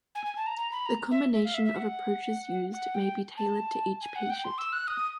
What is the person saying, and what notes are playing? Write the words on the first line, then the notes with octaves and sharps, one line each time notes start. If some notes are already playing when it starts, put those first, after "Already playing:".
The combination of approaches used may be tailored to each patient.
G#5
G#5
A5
A#5
A#5
B5
A#5
E5
E5
F5
E5
E5
F#5
F#5
G5
A5
G#5
F#5
G5
C6
E6
F#6
D#6